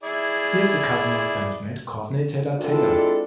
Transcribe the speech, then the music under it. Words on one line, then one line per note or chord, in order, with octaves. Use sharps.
He is a cousin of bandmate Courtney Taylor-Taylor.
E4 G#4 D5
G#3 C4 D4 E4 F4 A4